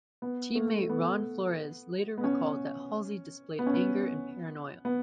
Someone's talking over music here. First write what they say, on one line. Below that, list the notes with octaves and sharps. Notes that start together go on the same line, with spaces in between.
Teammate Ron Flores later recalled that Halsey displayed anger and paranoia.
B3
A3
A3
B3
B3
C#4
B3
C#4
B3
B3